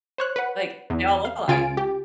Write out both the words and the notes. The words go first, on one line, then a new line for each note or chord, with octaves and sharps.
Like, they all look alike.
C5 C#5 F#6
B4 F#5
E2
F5
C#2 C#3 F4 G#5 A6 D7
G4